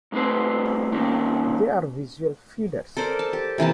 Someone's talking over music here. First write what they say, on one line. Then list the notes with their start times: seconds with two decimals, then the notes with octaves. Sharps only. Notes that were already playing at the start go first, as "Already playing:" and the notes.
They are visual feeders.
0.12 G#2 A3 C4 B4 C5
0.92 D#3 A#3 C4 C#4 A#4
2.97 A4 A#4 C5 D5
3.19 A5
3.33 G4
3.58 C3 E3 A#3 A5